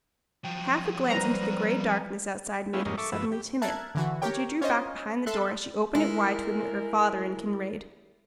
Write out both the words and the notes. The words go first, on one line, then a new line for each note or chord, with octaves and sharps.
Half a glance into the gray darkness outside made her suddenly timid, and she drew back behind the door as she opened it wide to admit her father and Kinraid.
F3 F#3 G5
G3 C4 B4 A#5
G#3 B3 C#4 E4 F4 G4
F2 G#2 G3 A#3 C#4 D#5
A4 E5 C#6 D6
G2 F3 B4 E6
G4
A#4 E5 A5 F#6 G#6
D3 E3 F#4
G4 A#4 C#5 G5
C#4 F4 C5 C#5 D#5
A4 E5 C6 F#6
G#3 E4 A#4